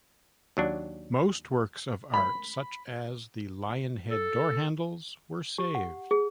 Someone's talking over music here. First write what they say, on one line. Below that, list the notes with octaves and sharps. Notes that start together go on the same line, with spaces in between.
Most works of art, such as the lion-head door handles, were saved.
D#2 F#3 D4
B5
A4
G4
F#5
G#4